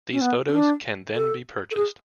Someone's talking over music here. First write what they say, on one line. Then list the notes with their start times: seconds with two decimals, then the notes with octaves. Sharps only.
These photos can then be purchased.
0.12 C#4
0.21 B3
0.48 C#4
0.52 D4
1.14 A4
1.71 A4
1.76 G#4